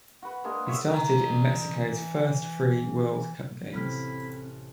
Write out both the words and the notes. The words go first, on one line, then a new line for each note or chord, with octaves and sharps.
He started in Mexico's first three World Cup games.
F#4 B4
G#3 A#3 D4 G#4
C#5 E5 C#6
E3 A#5
A1 C3 C4 E4 B5 F6